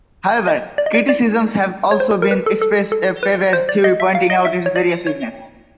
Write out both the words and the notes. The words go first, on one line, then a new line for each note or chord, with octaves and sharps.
However, criticisms have also been expressed of Faivre's theory, pointing out its various weaknesses.
D#5
D5
D#5
D5
D5
C#5
C5
A#4
B4
A4
A4
A4
B4
C5
D5
D#5
E5
F5
D#5
E5
C#5
D5
C#5